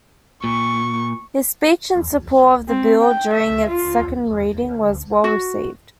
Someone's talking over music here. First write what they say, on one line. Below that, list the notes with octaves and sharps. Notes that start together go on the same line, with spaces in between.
His speech in support of the bill during its second reading was well received.
A#2 C#6
C4
G5
E5
F4
F#4